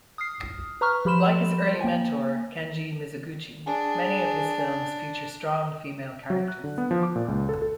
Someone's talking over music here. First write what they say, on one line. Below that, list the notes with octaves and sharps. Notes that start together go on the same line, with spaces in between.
Like his early mentor Kenji Mizoguchi, many of his films feature strong female characters.
D#6 F6 C7
B4 A#5 C#6 F6
F3 G4 B5 C6 E7
A#3 G5 G#5
D4 G#4
F#3
F#6
D3
B3
F3
D6
A#2
C#2
A4
A4